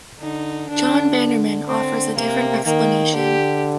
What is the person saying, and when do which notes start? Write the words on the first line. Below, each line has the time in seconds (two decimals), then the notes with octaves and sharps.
John Bannerman offers a different explanation.
0.20 D3 D#4
0.70 D3 D4
1.68 C4
2.17 C3 A#3
2.65 D#3 A#3
3.15 D3 G4